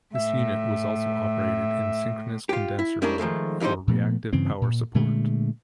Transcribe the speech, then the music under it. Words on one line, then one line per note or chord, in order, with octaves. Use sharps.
This unit was also operated in synchronous condenser mode for reactive power support.
A2 E5
F4 G4
E4
G3 G#3 C#4 D4 E4 A#4
D#3 F3 G#3 A3
F2 E3 G3 D#4 C5
A#2 F3 A3 B3
G2 C#3 E3 C4
A#2
A#2 D3 G#3 A3